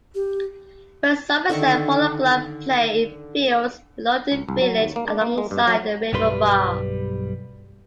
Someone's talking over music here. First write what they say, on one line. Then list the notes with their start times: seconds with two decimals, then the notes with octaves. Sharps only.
West Somerset Polo Club play in fields below the village alongside the River Barle.
0.15 G4
1.50 D3 D#3 E5 C#6
4.32 C#2
4.49 C2
4.62 F#3
4.80 D#2
4.96 A#3
5.08 D4
5.21 A#3
5.38 G#3
5.51 G2
5.68 F#3
6.13 B1 G2 G3 B4 C6